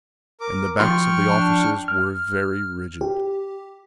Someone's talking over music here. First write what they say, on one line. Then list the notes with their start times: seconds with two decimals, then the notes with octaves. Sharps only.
And the backs of the officers were very rigid.
0.41 A#4 D6
0.80 F3 F4 G5 C6 C#6 F6
1.28 D4
1.88 F6
3.01 G4